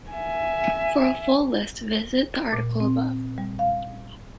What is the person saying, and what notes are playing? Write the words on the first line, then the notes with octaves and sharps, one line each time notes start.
For a full list, visit the article above.
E5 G#5
A#2
C4
G3
F5